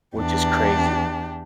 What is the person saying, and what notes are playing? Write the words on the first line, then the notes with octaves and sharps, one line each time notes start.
which is crazy.
E2 D4 G4